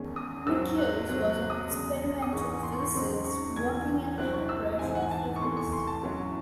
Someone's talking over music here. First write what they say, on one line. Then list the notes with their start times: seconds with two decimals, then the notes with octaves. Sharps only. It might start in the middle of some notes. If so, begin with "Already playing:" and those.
Michels was an experimental physicist, working in high pressure physics.
Already playing: E2 D#3 G#3 C#4
0.16 D#6
0.47 G#2 F#3 C4 E6
0.78 F#6
1.08 C3 F#3 C4 F#6
1.29 F#6
1.50 D#6
1.70 E2 C#3 G#3
2.22 D#6
2.32 G#2 E3 G#3 C#6
2.63 C6
2.73 C#6
2.83 C6
2.94 C#3 F#3 C4 D#4
3.24 C#6
3.56 E2 C#3 E3 G#6
4.18 C2 C3 F#3 C4 E4 F#6
4.49 E6
4.79 G#2 E3 C4 D#4 G#5
4.95 F#5
5.03 G#5
5.11 A5
5.36 C#6
5.41 E2 C3 E3 A3 C6
5.57 C#6
5.72 C6
5.87 A5
6.03 G#2 F#3 C#4 E4